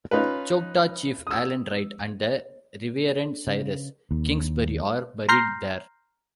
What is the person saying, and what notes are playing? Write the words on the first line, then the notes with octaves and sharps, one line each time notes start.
Choctaw Chief Allen Wright and the Reverend Cyrus Kingsbury are buried there.
C#4 D#4 F4 B4
D#6 E6
C#3
D#2
A#5 C6 F6 G6 A#6 C7